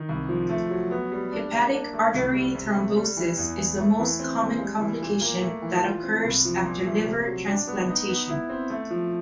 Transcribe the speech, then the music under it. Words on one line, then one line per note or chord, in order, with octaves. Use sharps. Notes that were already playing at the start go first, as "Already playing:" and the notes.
Hepatic artery thrombosis is the most common complication that occurs after liver transplantation.
Already playing: D#3
C2
F3
A3
F#3
B3
G3
D4
A#3
D4
A3
C2
G3
C3
A3
G3
E3
E2
E3
A3
E3
C4
G#3
G3
E3
A#2
A#3
A3
E3
F4
C4
C2
F3
A#2
A3
C3
F#3
D4
B3
D#4
B3
E4
C4
A3
F3